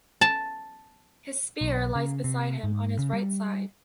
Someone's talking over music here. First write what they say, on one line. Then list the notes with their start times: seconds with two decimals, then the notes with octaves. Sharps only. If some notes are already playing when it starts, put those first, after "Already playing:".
His spear lies beside him on his right side.
0.21 A5
1.61 B1
1.95 C#3
2.24 C3
2.63 G#2
2.99 C#3
3.13 G3